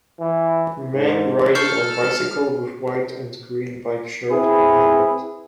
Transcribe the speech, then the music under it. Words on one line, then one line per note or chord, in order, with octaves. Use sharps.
Man riding on bicycle with white and green bike shirt and helmet.
E3
G#2
A4 C#6 F6 G6 C7
C4 E4 G#4 B4